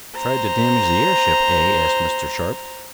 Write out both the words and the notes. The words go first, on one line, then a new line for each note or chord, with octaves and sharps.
"Tried to damage the airship, eh?" asked Mr. Sharp.
C5 A#5